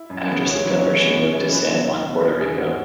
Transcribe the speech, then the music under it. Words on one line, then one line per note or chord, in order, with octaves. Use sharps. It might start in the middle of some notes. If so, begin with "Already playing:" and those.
After September she moved to San Juan, Puerto Rico.
Already playing: E4
F#2
C#3 E3 B3
C#2 C#5
C#3 F#3
F#2 C#5
E3 G#3 B3
F#2
C#3 E3 G#3
F#2 B4
C#3 F#3
C#2
B2 B3
E2 G#4
C#3 E3 G#3 G#4
G#2 F#4